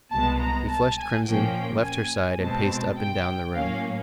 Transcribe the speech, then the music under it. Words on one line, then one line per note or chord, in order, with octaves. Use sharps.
He flushed crimson, left her side, and paced up and down the room.
C2 B2 G#3 B3 A5
A#5
A5
G#5
A#2 F3 A#3 C#4 G5
G#5
B2 G#3 C4 A5
G5
A2 F#3 A#3 C#4 F5